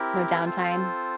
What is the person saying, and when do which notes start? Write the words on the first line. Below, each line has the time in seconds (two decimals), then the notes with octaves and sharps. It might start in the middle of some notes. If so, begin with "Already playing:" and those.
No downtime?
Already playing: C4 E4 G4 A#4
0.45 C4 F4 A4 C5